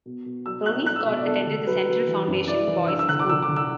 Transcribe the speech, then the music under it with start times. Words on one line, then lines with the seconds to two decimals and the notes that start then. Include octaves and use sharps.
Ronnie Scott attended the Central Foundation Boys' School.
0.06 B2
0.26 B2
0.46 F#3 E6
0.66 B2 F#6
0.86 D4 F#6
0.96 E6
1.07 B2 E5
1.17 D5
1.27 E2 A4
1.47 D3
1.67 F#3 B4
1.88 F#3
2.08 E3
2.28 F#2
2.48 E4 D5
2.68 E3
2.88 D4 E6
2.99 E6
3.09 D3 F#6
3.19 D6
3.29 D3 E6
3.42 D6
3.49 D3
3.56 E6